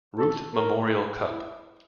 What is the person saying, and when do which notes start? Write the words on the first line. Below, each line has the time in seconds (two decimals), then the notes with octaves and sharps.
Ruth Memorial Cup.
0.18 A4
0.55 A#4
1.29 E4